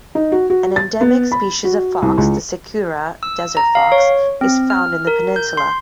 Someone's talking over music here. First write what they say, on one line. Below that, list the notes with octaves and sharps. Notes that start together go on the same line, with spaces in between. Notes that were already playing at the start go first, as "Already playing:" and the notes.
An endemic species of fox, the Sechura desert fox is found in the peninsula.
D#4
F#4
F#4
A6
B3
B5
F#4
C2
C#2
E6
A#5
F5
C#5
C4
F6
A#4
G6
C6